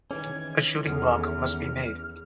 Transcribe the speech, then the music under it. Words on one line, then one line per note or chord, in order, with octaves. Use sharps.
A shooting-block must be made.
D#3 E3 C#4 G#4 B4 G#5 G#6
E2 A4 F#5 F6